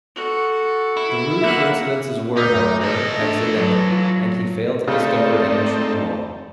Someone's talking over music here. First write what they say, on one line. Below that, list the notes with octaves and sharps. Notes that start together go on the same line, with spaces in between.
The rude coincidences were, however, accidental, and he failed to discover any true law.
F#4 A4
E4
A#3 E5 F#5
D2 D#4 D6 G6 B6
E3 A4 D#5
A3 D4
F#3
F4
C#3 A3 C4 D#4 A4 D5